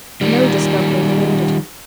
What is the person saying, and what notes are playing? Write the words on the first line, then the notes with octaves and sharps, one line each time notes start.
No discovery rewarded her.
D#3 G3